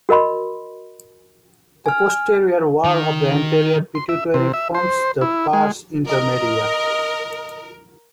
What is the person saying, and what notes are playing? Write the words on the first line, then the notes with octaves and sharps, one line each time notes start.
The posterior wall of the anterior pituitary forms the pars intermedia.
F#4 A#4 D#5 B5 C6
G#5 F6
D#3
C6
E5
C3
E5
C5
E4
G#3
A#4 D#5